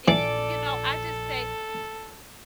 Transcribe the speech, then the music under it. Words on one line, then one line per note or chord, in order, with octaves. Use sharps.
I i i you know, I just say,
A#1 E3 A4 D5